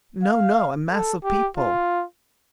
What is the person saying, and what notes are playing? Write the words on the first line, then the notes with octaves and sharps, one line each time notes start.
"No, no; a mass of people."
F5
A4
G4
F4